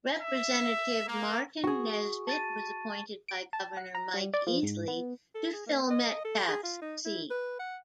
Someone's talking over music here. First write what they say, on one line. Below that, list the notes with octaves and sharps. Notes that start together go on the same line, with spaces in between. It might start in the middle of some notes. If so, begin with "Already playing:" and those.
Representative Martin Nesbitt was appointed by Governor Mike Easley to fill Metcalf's seat.
E5
A#3
F#4 G#4 C#6
A5 A6 D#7
D7
A5
F#5
A#5
G3
D5
F3
G#2
B3
A4
G#4
A#3
D#5
A4
G#4
F4
D#4
E4
B4
F#5